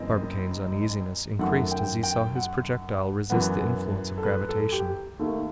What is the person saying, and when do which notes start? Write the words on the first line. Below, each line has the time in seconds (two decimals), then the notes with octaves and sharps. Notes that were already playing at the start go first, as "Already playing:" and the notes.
Barbicane's uneasiness increased as he saw his projectile resist the influence of gravitation.
Already playing: F#1 F#2 E3 C4 D#5
1.39 F#2 D#3 A3 F#5
1.71 G5
2.03 G5
2.35 F#5
3.30 F#2 E3 B3
4.18 A4
4.24 B4
4.49 A4
4.72 G4
5.19 D#2 D#3 A3 A4